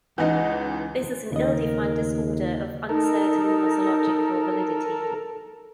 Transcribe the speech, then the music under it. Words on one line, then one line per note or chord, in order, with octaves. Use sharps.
This is an ill-defined disorder of uncertain nosological validity.
C#2 E3 C#4 D#4 D#5 F#5
D#2 C#3 A#4 D#5
D#4 A4 A#4